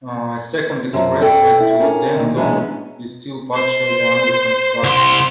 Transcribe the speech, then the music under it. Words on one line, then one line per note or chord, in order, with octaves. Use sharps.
A second expressway to Dandong is still partially under construction.
F#2 F3 F#3
A4 D5 G5
E4
C#4 D4 A#4
A#2 D#3
E3 F#3 G#3 B3 C#4 D4
C5
C2 C6